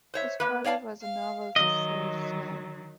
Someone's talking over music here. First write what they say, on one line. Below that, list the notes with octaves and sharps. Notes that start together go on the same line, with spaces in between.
His father was a novelty salesman.
C5 C#5 E5
A#3 B4
C#5 D5 F5 G#5 A5
F5
D#3 F#3 D#5